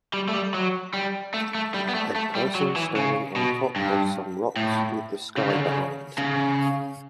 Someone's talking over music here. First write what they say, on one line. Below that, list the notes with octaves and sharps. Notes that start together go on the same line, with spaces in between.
A person standing on top of some rocks with the sky behind.
G3
A3
G3
F#3
G3
A3
A3
G3
B3
A3
A3
G3
F#3
E3
C#3
B2
G2
A2
C#3
D3
C#3
C#3